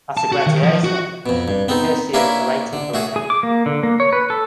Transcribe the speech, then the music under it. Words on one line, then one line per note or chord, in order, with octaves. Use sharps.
After graduation, he pursued a writing career.
A5
F#4
D#3
F3
F#4
F2 B2
G2
B3 C4 D#4
A#3 C#4 D4 E4 A#4 B4
D3
A3 F#4 G#4
G#4
D6
A#3
D3
A#3
C#5
B4
A4